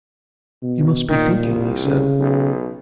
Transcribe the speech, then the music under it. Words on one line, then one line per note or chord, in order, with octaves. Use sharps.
"You must be thinking," he said.
B2
A#2 D#3
C2
C#3
B1